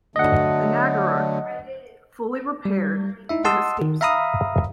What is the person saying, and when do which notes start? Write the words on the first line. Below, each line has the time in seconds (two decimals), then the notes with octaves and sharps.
The "Naggarok", fully repaired, then escapes.
0.16 D3 F#3 A3 D#5 F#5
2.65 G3
3.29 D#4 E4 E5
3.44 D#5 F#5 A5 C6 D#6 E6
3.81 D#3
4.01 E5 F5 A#5 B5 D#6